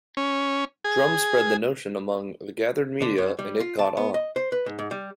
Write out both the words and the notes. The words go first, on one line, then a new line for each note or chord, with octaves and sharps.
Drum spread the notion among the gathered media and it caught on.
C#4
G#4
D3
F#2
G3
F4
A5
B3
D#5
C5
B4
G#2
G#2
G3